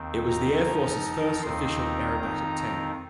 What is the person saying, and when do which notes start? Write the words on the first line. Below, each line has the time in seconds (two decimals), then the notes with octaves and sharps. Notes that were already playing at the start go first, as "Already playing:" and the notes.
It was the air force's first official aerobatic team.
Already playing: D#2 D#3 C4
0.28 A#5
0.66 F2 F3 D#4 A#5
1.04 A#5
1.42 D#2 D#3 C4 D#4 C6
1.81 A#5
2.18 F2 D#3 C4 D#4